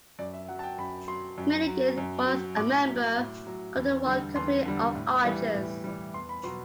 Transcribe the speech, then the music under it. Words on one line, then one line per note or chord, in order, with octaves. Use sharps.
Milligan was a member of the Royal Company of Archers.
F#2 D5
E5
F#3 F#5
A5
G5
F#2 B5
F#3 C6
F#2
F#3
F#2
F#3
A2 D6
F#3
A2
F#3
E2
D3 G3
E2 C6
D3 G3
A2
E3 G3
A2
E3 G3
E2 C6
B5
B2 F#3 C6